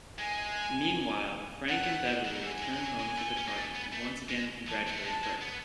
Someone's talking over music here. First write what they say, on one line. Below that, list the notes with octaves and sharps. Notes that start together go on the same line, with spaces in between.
Meanwhile, Frank and Beverly return home to the party and once again congratulate Berke.
G#3 G#5
A3 F#5
B3
A3
C#3
D#3
F#3
E3 G#5
G#3
G#3
F#3
G#3
A3
C#4
G#3
A3
B3
A3
G#3
E3 A5
F#3
A3
G#3 A5
G#3
B3